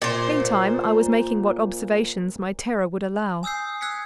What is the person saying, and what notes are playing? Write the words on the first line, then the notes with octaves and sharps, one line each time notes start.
Meantime I was making what observations my terror would allow.
A#2 C5
G#5 D#6 E6 G6 C7
E6 F#6 G#6 B6 C#7